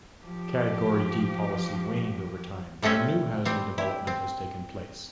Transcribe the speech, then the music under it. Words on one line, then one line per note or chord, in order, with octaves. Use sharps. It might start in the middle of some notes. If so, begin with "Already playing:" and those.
The Category D policy waned over time and new housing development has taken place.
F3 G4
G3 A3 C4 C#4 E5
G3 C4
E4 G4
C4